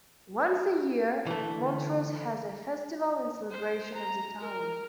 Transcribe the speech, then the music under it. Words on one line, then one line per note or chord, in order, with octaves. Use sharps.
Once a year, Montross has a festival in celebration of the town.
D3 E3 A3
C5
A#5
A#4